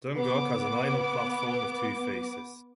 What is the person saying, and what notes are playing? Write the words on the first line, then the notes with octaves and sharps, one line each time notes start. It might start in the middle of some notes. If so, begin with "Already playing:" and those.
Dungog has an island platform with two faces.
B3 D6